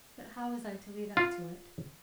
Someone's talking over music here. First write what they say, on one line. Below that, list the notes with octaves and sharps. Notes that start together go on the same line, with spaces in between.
But how was I to lead up to it?
F4